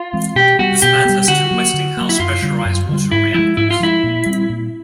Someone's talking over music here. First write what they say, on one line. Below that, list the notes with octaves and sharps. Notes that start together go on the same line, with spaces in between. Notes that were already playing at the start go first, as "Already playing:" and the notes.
This plant has two Westinghouse pressurized water reactors.
Already playing: F4
E3 G#3 C4
B2 G4
G3 B3 F#4
B2 G4
G3 B3
D3 F#4
F#3 A#3
D3
F#3 A#3
E4
F#2 F4
D3 G3
F#2
D3 G3
G#2 E4
F3 G#3 E4
G#2 E4
F4
F3 G#3 E4
A#2
G3 C4
A#2